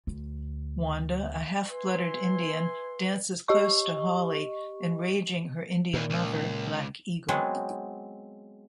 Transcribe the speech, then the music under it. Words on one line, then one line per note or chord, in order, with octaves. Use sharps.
Wanda, a half-blooded Indian, dances close to Hawley, enraging her Indian lover, Black Eagle.
D2
E4 B4 G#5 C6
G4 D#5 C#6
D#2 A#2 E3
C#2
F#3 G#3 B3 C4